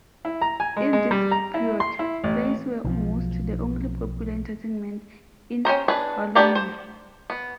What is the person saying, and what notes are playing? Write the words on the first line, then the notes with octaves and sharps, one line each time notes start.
In this period, plays were almost the only popular entertainment in Wallonia.
E4
A#5
G#5
G#3
G#3
G3
A#5
E4
C6
E4
A1
B1 F3
C#4 G4 C5 A#5
D4 G#4 B4
B3 D4 G4 D5 A#5
C5
B3